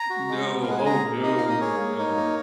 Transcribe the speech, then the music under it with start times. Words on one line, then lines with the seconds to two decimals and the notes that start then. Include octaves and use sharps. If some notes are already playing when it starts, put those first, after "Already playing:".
No, oh no, so no.
Already playing: A#5
0.10 F#4
0.29 G#3
0.48 B3
0.63 F5
0.66 G#3 F#5
0.78 G#5
0.85 G#4 A#5
1.04 A#3
1.23 D#4 D#5
1.38 A#3 F5
1.49 D#5
1.61 G#4 C#5
1.80 A#3
1.98 D#4
2.17 A#3